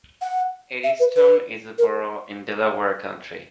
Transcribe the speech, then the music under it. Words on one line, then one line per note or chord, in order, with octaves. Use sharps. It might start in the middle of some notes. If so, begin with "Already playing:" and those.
Eddystone is a borough in Delaware County.
F#5
E5
B4
B4
A#4